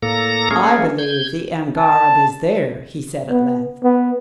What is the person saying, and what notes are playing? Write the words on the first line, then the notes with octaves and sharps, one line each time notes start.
"I believe the angareb is there," he said at length.
A2 A#3 A4 A#5 A#6
A3 A#3 C#4 G#4
G6 G#6
A5
B3
B3